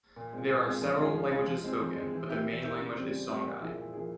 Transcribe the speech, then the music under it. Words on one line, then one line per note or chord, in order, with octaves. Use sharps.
There are several languages spoken, but the main language is Songhay.
A#2
G#3 C4 F4
A#2
G#3 C4 F4
F3
G#3 C#4 F4 G#4
F3
G#3 C#4 F4 G#4
F3
G#3 C4
F3
G#3 C4
E3
A#3 E4 G4
E3
A#3 E4 G4
C#3
G3 C4 G4
C#3
G3 C4 G4
A#2
F3 A#3 E4 G#4
A#2
F3 A#3 E4 G#4